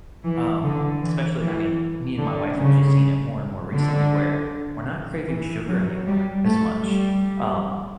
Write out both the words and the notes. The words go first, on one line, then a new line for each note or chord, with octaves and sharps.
um, especially I mean, me and my wife have just seen it more and more recently where we're not craving sugar anymore as much, um,
E3
D3
E3
E3
D3
C#3
D3
E3
F#3
G3
A3
G3